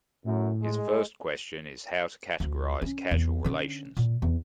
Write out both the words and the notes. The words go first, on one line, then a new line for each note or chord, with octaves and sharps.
His first question is how to categorize causal relations.
F#2 A2
G#3
D2
C#4
E2
D3 C#4
A#2
E2